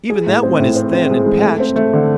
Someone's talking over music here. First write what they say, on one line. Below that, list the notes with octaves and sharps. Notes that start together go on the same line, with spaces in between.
Even that one is thin and patched.
G#4
A2
C4
A2
C4
C4
G#3
G#3
A3
C4
A3
D3